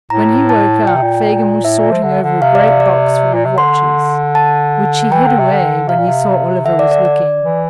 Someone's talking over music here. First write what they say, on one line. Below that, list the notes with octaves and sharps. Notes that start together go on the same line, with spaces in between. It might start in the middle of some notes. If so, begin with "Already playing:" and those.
When he woke up, Fagin was sorting over a great box full of watches, which he hid away when he saw Oliver was looking.
A2 A#5
A5
A#2 G5
C3
A#2
A2 E5
A#2
F3
D3
D3
C3 F5
D5
D5
D5
A#2
C3
D3 C6
A5
E3 G5
D3
C3
D3
C3 F5
A#2
C3
D3 E5
D5
D5
D5
E3